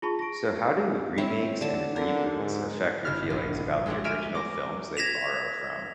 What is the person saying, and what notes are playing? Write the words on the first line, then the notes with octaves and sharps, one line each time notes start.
So how do remakes and reboots affect your feelings about the original films they borrow from?
F4 G#4 A5 B5 C#6
A#6 D7
C4 E4 C#5
D3 A5 C6
D3 A#4
G#2
G1 E4 F6
A#1
G#3 A3 F#4 G4 C#5
E5 G#5 A#5 F6 D7 D#7
D6 A#6
G#6 A#6 B6 E7 F7